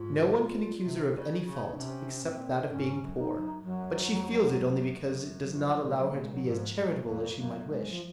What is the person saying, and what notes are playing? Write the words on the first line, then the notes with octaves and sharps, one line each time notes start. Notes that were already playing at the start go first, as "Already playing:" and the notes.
No one can accuse her of any fault, except that of being poor, but she feels it only because it does not allow her to be as charitable as she might wish.
Already playing: G#2 F4
A#2
C3
C#3
C#3
D#4
C3 C#4
C#4
A#2 C4
G#2 C#4
F#2
D#4
F#2
F#2 F#3
F2
F#2
F#2
F#3
F#2 F3
A#2
G#3
F#3
A#2 A#3
G#3
F#3
G#2 F3
F#2 G#3
F2 A#3
F#2 A#3
G#3
F3